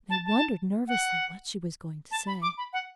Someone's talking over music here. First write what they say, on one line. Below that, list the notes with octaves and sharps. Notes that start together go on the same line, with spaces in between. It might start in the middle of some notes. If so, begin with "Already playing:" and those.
They wondered nervously what she was going to say.
A5
A5
F#5
A5
B5
D6
B5
F#5